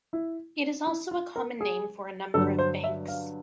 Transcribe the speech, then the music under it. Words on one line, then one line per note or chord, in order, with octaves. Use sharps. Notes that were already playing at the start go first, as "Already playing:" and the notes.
It is also a common name for a number of banks.
E4
E4
F4
A#4
G#4
G2 D3 F#3 A4
C5
E5
F5